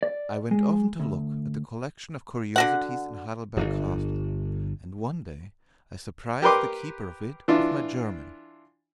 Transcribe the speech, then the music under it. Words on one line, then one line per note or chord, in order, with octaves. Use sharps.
I went often to look at the collection of curiosities in Heidelberg Castle, and one day I surprised the keeper of it with my German.
D5
G#3
D2
D3 F#4 F#5
D1 G1
G4 A#4 B4 C6 D6
E3 D4 E4 F4